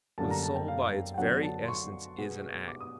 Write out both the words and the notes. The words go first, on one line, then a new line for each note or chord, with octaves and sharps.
For the soul by its very essence is an act.
F#2 D3 G3 A#3 D4 A5
A#5
A5
G5
F5
G5
D3 F#3 B3 D4 F#5
A5
C6
C#6
B2 G#3 B3
D6
D#6